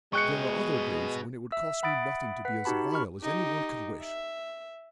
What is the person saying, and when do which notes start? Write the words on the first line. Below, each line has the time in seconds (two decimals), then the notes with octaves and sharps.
There are other days when it would cost me nothing to be as vile as anyone could wish.
0.13 B2 G#3 G5 C#6 F#6 C#7
1.52 E5 E6
1.83 E5 F#5 B5 D#6 A6 D7
2.45 B4 F#5 B6
2.65 D#4 F#4 G4 A5 B5
2.92 B5 C#6 F6
3.21 D#4 G4
4.01 E5